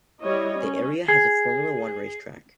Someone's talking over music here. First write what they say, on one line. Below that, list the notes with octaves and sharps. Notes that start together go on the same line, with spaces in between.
The area has a Formula One racetrack.
G3 E4 C#5 D#5
C#4
G#4